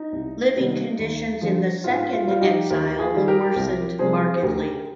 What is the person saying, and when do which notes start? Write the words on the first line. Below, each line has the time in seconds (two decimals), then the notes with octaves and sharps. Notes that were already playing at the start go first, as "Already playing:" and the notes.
Living conditions in the "second exile" worsened markedly.
Already playing: D#4
0.13 C2
0.56 C3 D#3 G3
0.99 D#2
1.41 D3 F3
1.84 G#2 F4
2.13 F4
2.27 G3 F4
2.41 D#4 G4
2.70 D#2 G4 A#4
2.99 F4 G#4
3.13 D#3 G3
3.28 G4 A#4
3.56 C2 G4 A#4
3.99 C3 G3 G#4 C5
4.34 C5
4.42 D2 G4 A#4